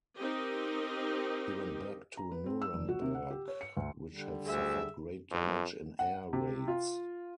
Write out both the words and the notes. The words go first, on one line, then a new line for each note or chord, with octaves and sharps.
He went back to Nuremberg, which had suffered great damage in air raids.
C4 D#4 G4 A#4 D#5
A#5
B4
C4
E6
F1
F#4
C3
F#5
G4
C#5
C#7
D2
D3 G3
D2 G#4 E5
F2
F#5
C3
F4